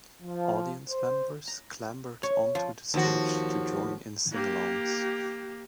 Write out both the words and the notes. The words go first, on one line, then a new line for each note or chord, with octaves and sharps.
Audience members clambered onto the stage to join in singalongs.
F3
C5
A#5
C#5
F3
D#2 F3 F#4
A#3 G4